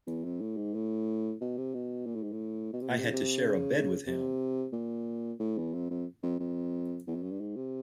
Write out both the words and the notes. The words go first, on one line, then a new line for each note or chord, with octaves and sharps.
I had to share a bed with him.
E2
F2
A2
G#2
A2
B2
C3
B2
A#2
A2
G#2
A2
B2
C3
A#2
C3
C#3
C3
C#3
C3
A#2
A2
E2
F2
F2
F2
F2
E2
F2
F#2
G2
G#2
C3